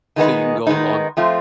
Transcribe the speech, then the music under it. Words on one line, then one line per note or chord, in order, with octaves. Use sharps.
So you can go a long
D#3 G#3 B3 D#4
D#3 G#3 B3 D#4
F3 A3 C4 F4